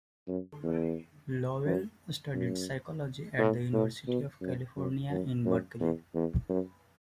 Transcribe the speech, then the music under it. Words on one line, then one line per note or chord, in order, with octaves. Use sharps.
Lovell studied psychology at the University of California in Berkeley.
F#2
E2
F#2
F#2
A2
A2
B2
F#2
F#2
F#2
F#2
E2
E2
F#2